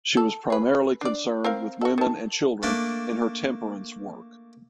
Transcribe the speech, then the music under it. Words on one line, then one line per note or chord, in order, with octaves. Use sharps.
She was primarily concerned with women and children in her temperance work.
A4
G#4 B4
D4 D5
C4 A#4 F5
F#4 A4
D#3 A5
A3 A#3 D4